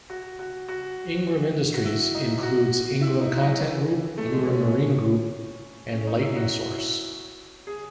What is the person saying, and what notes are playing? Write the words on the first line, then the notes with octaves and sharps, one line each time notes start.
Ingram Industries includes Ingram Content Group, Ingram Marine Group, and Lightning Source.
F#4
F#4
F#4
F#4
E4
D#4
F#4
E4
D#4
F#3
E3
A3
G#3
C#4
C#4
C#4
D#4
E4
F#4
G#4